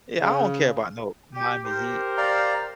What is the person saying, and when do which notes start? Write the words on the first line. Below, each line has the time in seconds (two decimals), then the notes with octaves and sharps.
Yeah, I don't care about no Miami Heat.
0.19 C#3
1.34 G4
1.65 G4 A#4 C5
2.17 D5 F5 A#5